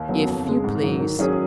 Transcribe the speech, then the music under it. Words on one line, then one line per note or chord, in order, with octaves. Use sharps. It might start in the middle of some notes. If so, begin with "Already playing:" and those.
"If you please."
Already playing: D#2
C#3 F#3 B3
F2
C#3 G#3
G#2
D#3 F#3
D#3
F#3 C#4 G#4